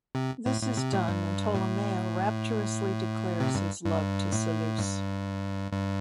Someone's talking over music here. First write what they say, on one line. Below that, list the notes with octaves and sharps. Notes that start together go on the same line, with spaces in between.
This is done and Tolomeo rapturously declares his love to Seleuce.
C3
A2
A2
C3
A2
G2
A2
C3
G2
G2
A2
G2
G2